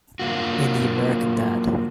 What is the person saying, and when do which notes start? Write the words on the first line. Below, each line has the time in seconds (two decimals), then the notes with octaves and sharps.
In the American Dad!
0.19 D3 F#3 A#3 F4 F#4